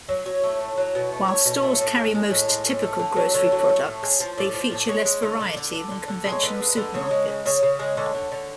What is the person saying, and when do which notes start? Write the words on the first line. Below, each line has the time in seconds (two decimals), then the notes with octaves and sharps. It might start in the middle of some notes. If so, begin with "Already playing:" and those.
While stores carry most typical grocery products, they feature less variety than conventional supermarkets.
0.09 F#3
0.26 F#3 C#5
0.44 A3
0.60 A2
0.77 F#3
0.95 B2
1.12 A3
1.28 A3 C#5
1.45 B2
1.63 A3
1.81 A2
1.97 G#3
2.15 G#3
2.31 A2
2.48 G#3
2.65 A2
2.82 A3
2.99 D3
3.17 F#3
3.34 D3 C#5
3.52 F#3
3.69 A3
3.85 A2
4.03 G#3
4.20 F3
4.38 A2 D5
4.54 F3
4.71 A2
4.88 G#3 C#5
5.05 G#3
5.23 D3
5.40 D3 D5
5.56 D3
5.74 D3
5.91 D3
6.08 D3
6.26 G#3
6.32 C#5
6.43 D3 B4
6.60 G#3
6.77 D3
6.94 C#3 C#5
7.11 G#3
7.28 C#3
7.45 C#3 C#5
7.63 C#3
7.79 G#3
7.97 D3 C#5
8.15 D3
8.32 D3